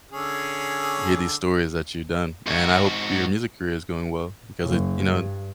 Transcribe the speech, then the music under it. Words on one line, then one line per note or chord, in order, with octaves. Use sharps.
hear these stories that you've done, and I hope your music career is going well, because it you know, an
D3 C#4 G#4
G#2 F#4
F#1
G2